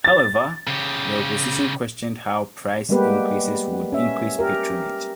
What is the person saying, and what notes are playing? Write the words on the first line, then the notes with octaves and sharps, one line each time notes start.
However the Opposition questioned how price increases would increase patronage.
A6
C#3 G4
G3 G#3 A#3 B3 G4 B4
C#4 E5
G4 A#4